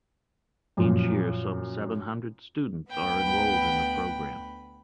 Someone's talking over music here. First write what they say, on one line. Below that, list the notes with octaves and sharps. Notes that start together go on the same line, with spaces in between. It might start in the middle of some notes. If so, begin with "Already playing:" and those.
Each year some seven hundred students are enrolled in the programme.
F#2 A#2 F3
D2 B3 G5 B5